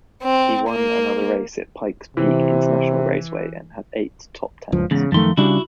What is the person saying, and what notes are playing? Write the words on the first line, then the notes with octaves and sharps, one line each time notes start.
He won another race at Pikes Peak International Raceway and had eight top-tens.
C4
A#3
C3 E3
F#1 C#2 F3
E2 G#2 C#3
F#2 D#3 F3 A3 C6
C#3 G3 D4 E4 F#4